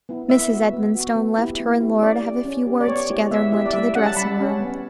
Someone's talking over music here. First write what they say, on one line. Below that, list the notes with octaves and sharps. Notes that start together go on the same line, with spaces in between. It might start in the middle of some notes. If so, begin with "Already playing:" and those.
Mrs. Edmonstone left her and Laura to have a few words together, and went to the dressing-room.
B3 E4
B3 E5
F#4
B3
F#4
B3
E4 G4
B3
E4 G4
C#4 D5
G4
C#4
G4
D5
B3 C#5
E4 G4
B3 E5
E4 G4 E5
D5
G3 E5
C#4 G4 F#5
A5
G3 B5
C#4 G4
B3